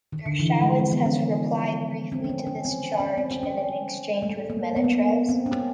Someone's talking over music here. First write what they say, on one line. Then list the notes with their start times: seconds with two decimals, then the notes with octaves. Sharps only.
Dershowitz has replied briefly to this charge, in an exchange with Menetrez.
0.12 D#3
0.26 D3
0.39 E3
0.52 F3
0.61 G#3
0.66 A3
0.79 C4
0.92 B3
1.06 C#4
2.12 C4
2.24 C#4
2.29 C4
2.47 C#4
2.65 C4
3.00 C#4
3.17 C4
3.31 C4
3.43 C#4
4.22 A3
4.50 A#3
4.76 B3
4.84 A#3
4.92 B3
5.29 C4
5.46 C#4